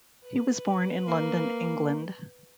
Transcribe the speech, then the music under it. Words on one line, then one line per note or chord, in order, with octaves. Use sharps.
He was born in London, England.
B4
A#3